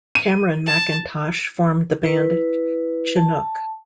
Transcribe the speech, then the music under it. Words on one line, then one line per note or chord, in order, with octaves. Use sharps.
Cameron MacIntosh formed the band Chinook.
D#7
A5
E4 B4
A5